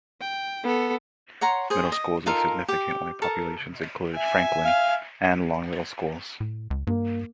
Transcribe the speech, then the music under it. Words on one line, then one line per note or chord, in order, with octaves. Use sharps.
Middle schools with significant White populations included Franklin, and Long middle schools.
G5
B3 A4
C#5 F#5 A#5 C6
G#4 C5
D#5
D#4 F4 A4 A#4
G4
A4 A#4 A5
E5 G#5
F5
A2
C#2
G2 A#3